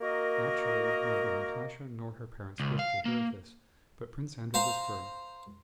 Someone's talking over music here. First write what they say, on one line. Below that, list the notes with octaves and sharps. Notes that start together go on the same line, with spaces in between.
Naturally neither Natasha nor her parents wished to hear of this, but Prince Andrew was firm.
A#3 F#4 A#4 D#5
C#2
F5
A#3
C5 F5 A#5